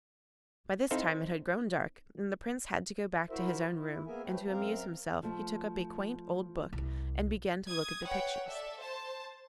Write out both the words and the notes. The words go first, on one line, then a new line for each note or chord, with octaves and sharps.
By this time it had grown dark, and the Prince had to go back to his own room, and to amuse himself he took up a quaint old book and began to look at the pictures.
C4 D#4 E4 A4 C5 F5
F#3 E4 F#4 A#4 C5 E5
E4
A#3 B3 G#4 A#4 E5 G#5
F3 A3 C#4 G4 B4
F#2 C4 A#4 F5 A#5
F3 A3
C2
D#6 G#6
B4 C#5 F#5 G5
A4 D5 E5
C5 A5